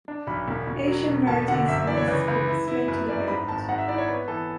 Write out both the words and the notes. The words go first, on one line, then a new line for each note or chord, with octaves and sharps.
Asian varieties of these scripts later developed.
D4
B1 B5
E1
E1
F#3
B2
E1 A5
D3 F#5
F#2 E5
E5
E3 D5
C#5
C#2 B4
C#2 B4
E4
E4
F#2 B4
F#2 D5
G#2 B5
G#1 A5
G#2 F#5
E5
E4 D5
C#5
B3 B4
E3 A4